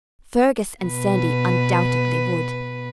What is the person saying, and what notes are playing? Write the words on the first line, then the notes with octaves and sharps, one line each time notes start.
Fergus and Sandy undoubtedly would.
B2 B4